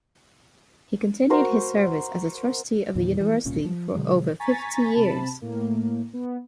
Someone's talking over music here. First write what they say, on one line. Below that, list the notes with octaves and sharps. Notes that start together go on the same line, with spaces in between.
He continued his service as a Trustee of the University for over fifty years.
F#4 A#4 C5 A#5
E2 A#2 D#3 E3
E3 G#3
D#1 C2 A#2 C#4
F3
B2 D3 F#3 G#3
G#5 A#5 C#6 A6 B6
C3 A5 B5
A2 A#3
B3